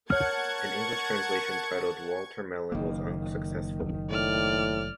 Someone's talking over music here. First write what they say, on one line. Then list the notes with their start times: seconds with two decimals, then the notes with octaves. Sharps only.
An English translation titled "Walter Melon" was unsuccessful.
0.10 A#4 C#5 F#5 A5 C#6 F6 G#6
2.72 F#1 D#3 A#3
4.10 A2 D5 F6